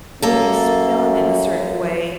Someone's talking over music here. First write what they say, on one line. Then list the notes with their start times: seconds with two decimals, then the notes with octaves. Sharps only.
would be spun in a certain way
0.22 F#2 A#3 A4